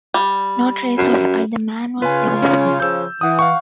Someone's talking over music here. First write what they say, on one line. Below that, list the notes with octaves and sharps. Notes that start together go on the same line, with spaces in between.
No trace of either man was ever found.
G3
F#2
C#3 F4 B4 G#5
C#4
C#3 F3 E6 G6
E3 F#5 D#6
F5 F#5 C#6